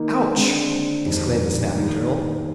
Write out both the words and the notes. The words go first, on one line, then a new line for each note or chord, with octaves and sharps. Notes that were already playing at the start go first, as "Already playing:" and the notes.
"Ouch!" exclaimed the Snapping Turtle.
Already playing: D#3 A#3 D#4
D3 G#3 C4
F2 D#3 G3 D4
D#3 G3 A#3 D#4